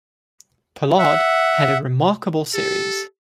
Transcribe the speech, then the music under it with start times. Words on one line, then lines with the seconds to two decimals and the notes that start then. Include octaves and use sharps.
Pollard had a remarkable series.
0.98 E5 F#5
2.54 G4 A4